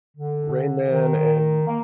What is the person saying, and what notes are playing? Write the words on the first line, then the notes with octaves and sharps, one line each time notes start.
Rain Man and
D3
D#3
A#3